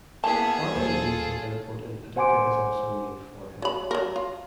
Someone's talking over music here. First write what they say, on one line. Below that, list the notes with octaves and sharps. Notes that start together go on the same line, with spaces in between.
Barkley Regional Airport in Paducah is also named for him.
A#3 B3 E4 G#4 A5
D#1 A#3 F4 A4 C5
C5 F#5 G#5 C6 D6 D7
F#3 B5
F#3 A#4
F4